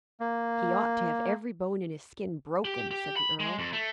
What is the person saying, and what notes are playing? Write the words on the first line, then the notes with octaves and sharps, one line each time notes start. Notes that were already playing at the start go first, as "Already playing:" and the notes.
"He ought to have every bone in his skin broken," said the earl.
A#3
G4
G4
B5
G#3
F2
A3